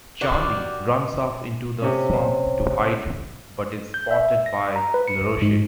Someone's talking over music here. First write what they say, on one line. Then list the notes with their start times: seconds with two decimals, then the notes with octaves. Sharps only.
Charlie runs off into the swamp to hide but is spotted by Laroche.
0.21 F#4 G4 A#4 D5
1.82 C3 C#4
3.94 G6
4.11 E5
4.46 A#6
4.76 A#5
4.94 B4
5.08 C#7
5.42 G#2